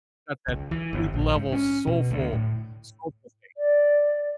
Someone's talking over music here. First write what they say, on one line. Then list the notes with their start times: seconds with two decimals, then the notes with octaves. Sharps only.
got that street level soulful soulful thing.
0.48 C#2
0.71 E3
0.93 G1
1.14 A#1
1.36 G#2
1.52 C#4
1.87 B2
2.11 D2
2.33 A2
3.57 D5